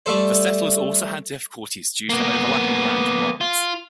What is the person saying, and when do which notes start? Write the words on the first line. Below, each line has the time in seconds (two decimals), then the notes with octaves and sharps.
The settlers also had difficulties due to overlapping land grants.
0.06 G3 A3 A4 C5
2.09 A#3 B3
3.41 F4